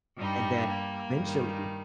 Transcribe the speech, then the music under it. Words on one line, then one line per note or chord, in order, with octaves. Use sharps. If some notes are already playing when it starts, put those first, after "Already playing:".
and then, eventually,
G2 G3 D#4
A#3
G2 D#3 G3